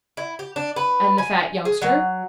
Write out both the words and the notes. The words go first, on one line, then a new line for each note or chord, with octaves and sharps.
"And the fat youngster?"
E4
G4
D4
B4
G#5
G#4
F#3